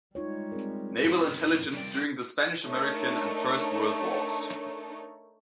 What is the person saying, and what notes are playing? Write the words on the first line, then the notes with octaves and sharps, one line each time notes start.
Naval Intelligence during the Spanish-American and First World Wars.
G3 G#3 D#4 F4 C#5
C4 G#4 A#4
G2 D#3
A#4
F2 C3 G3 D5
A3 D4 D#4 A4 A#4 C#5